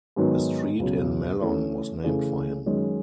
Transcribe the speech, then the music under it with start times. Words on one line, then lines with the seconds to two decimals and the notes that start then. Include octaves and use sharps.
A street in Melun was named for him.
0.16 G#2 D#3 F#3 B3
0.79 C#2 B2 F#3
1.42 E3 A3 C#4
2.04 C#3 E3 A3
2.66 F#2 D#3 G#3 C#4